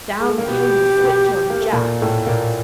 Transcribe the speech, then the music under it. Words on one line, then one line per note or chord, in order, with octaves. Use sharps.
Down came the switch on Jack.
G#3
A3
A#3
B2 B3 G4
B2 B3
A#3
A3
A#2 A#3
A2 A3
A#2 A#3